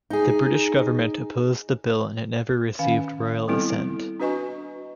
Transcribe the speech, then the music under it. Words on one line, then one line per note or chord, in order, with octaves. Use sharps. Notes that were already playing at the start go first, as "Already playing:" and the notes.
The British Government opposed the bill and it never received Royal Assent.
D#4 G#4
D#3 C#4 F5 G#5
G3 B3 C4 E4 A4
D4 F#4 B4 D#5 G#5 C#6